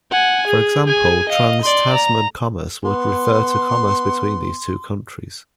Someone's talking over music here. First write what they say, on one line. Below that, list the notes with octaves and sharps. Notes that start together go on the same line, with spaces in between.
For example, Trans-Tasman commerce would refer to commerce between these two countries.
F#5 G#5
G#4
G#4 G#5
D#5 F5
D5 C6
A#5
B3 C6